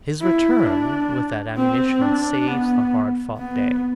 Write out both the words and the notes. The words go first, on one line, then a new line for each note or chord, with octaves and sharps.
His return with that ammunition saves the hard-fought day.
E4
D4
C4
D4
B3
B3